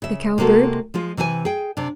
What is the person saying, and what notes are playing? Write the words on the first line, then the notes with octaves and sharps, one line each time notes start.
The Cow Bird.
C#3 E5
C3 G#3 A#3 F#4 A4
F3 G#3 F4
C3 E3 B4 C5 G#5
G#4 G5
C3 D4